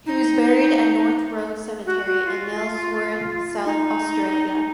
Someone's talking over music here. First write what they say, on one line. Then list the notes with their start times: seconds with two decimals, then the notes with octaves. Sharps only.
He was buried at North Road Cemetery in Nailsworth, South Australia.
0.06 D#4
1.86 F#4
2.06 F#4
2.26 F4
3.66 D#4